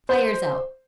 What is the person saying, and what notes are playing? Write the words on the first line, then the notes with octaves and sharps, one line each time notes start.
Fire's out!
C5